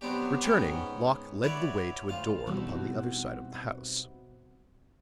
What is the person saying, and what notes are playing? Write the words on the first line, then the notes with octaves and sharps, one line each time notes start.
Returning, Locke led the way to a door upon the other side of the house.
B2 F#3 B3 C4 D4 G4
G#2 B3 C#4 F#4 B4 G5
E4 F#4 B4 C#5 D5
D2 F4 F5
B2 G3 C4 D#4 E4 F#4